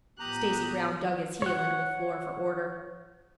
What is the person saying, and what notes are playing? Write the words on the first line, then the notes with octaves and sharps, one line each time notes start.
Stacy Brown dug his heel into the floor for order.
A2 F3 B3 G4 A#5 D#6 F#6
C#5 F#5